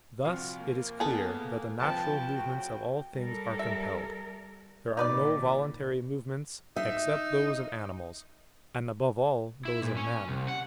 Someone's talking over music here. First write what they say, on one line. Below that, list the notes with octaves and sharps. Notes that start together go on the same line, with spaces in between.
Thus it is clear that the natural movements of all things are compelled; there are no voluntary movements except those of animals and, above all, those of man.
C2 F3 G3 F4 F#4 F5
A#3
E2 B3 G#4 A4
C2 F3 B4 G5 A5
A2 C#3 F#4
G3 A4 A#4
E5
A#2 D#3 D#4 B4 D5
D#4 E5
E4
A#2
C#4
C2
F#5